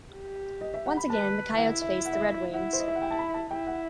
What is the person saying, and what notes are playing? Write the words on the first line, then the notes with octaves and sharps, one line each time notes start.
Once again, the Coyotes faced the Red Wings.
G4
D#5
E5
F#5
B5
B4 A5
E4 F#5
E5
E5
F#5
E5
D#5
E5
E4 F#5
C5
D#5
E5
F#5
G5
A5
B5
A5
E4 G5
F#5